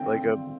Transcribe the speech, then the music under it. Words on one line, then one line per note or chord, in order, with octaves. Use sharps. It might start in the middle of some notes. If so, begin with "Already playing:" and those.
like, um
Already playing: D3 G#3 C4 G5